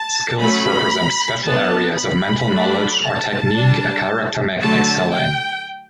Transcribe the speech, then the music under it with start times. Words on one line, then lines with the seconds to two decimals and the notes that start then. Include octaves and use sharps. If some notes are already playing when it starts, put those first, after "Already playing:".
Skills represent special areas of mental knowledge or technique a character may excel in.
Already playing: A5
0.39 F#3 A3 C#4 B5
1.44 F#3 B3 D4 A5
1.97 B5
2.50 F#3 A3 D4
3.02 A5
3.55 G3 D4
4.60 D3 F#3 A3 A5
5.13 G5